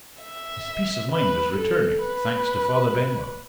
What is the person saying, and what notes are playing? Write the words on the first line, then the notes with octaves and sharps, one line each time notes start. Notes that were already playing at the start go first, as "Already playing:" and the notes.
His peace of mind is returning, thanks to Father Benwell.
E5
B4
A4
B4